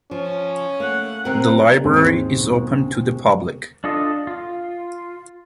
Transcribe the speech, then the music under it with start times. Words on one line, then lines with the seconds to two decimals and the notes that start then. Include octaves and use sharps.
The library is open to the public.
0.11 F3 C#4
0.80 A3 A#3 F#5
1.25 C3 D#3 C4 A#4
1.84 D#2 G#2 G#3 C4
3.84 D4 F4 A4 D#5
4.27 F4